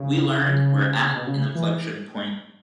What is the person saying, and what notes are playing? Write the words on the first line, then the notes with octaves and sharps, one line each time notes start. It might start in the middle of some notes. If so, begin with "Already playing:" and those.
We learned we're at an inflection point.
Already playing: C#3
C#3
B2
C#3
E3